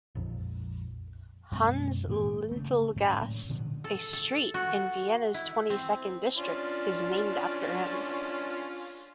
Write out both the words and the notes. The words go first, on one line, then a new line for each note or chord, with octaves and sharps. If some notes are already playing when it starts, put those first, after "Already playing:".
"Hannes-Lintl-Gasse," a street in Vienna's twenty-second district, is named after him.
A#1 F2
F#2 B2 G#3 C#4
A2 D#3 A#3 C4
C#3 A3
G#2 F#3 C#4
A2
G2 A#2 D3 F3
A4
A4
F#4
E4
C4
C#4 D4 F4